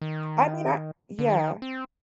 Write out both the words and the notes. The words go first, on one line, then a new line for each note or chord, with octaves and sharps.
I mean, I yeah.
D#3
D3
D#3
C4